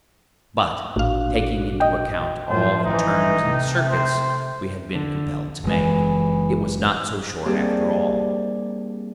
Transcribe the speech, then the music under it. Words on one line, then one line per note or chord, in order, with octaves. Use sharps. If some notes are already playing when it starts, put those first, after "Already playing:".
But, taking into account all the turns and circuits we had been compelled to make, it was not so short after all.
A1 A#2 D4 F#4 F5
D#5 G5
A2 F3 C5
A1 E3 D#4
C3 A3
C5
D3
F#1 E3 G#3
G3 A#3 C4 D4 G4 G#4